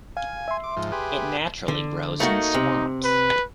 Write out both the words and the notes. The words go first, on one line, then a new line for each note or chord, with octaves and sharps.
It naturally grows in swamps.
F5 G#5
E5 C6
D6
G#2 F3
G4 G#4 B4
D3
A3 A#3 D#4 F#4
C3
B4